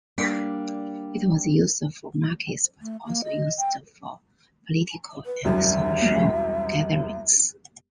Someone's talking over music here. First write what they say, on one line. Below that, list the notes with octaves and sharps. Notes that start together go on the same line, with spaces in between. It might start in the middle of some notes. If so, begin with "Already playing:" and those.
It was used for markets, but also used for political and social gatherings.
G3 A#3 D4
A3
A#3
D#5
G5
B4
E1 C2 F#2 E5